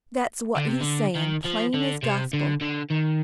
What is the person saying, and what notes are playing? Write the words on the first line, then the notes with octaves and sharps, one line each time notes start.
That's what he's saying, plain as gospel!
D3
C3
D3
D#3
F3
D3
C3
D3
D3
D#3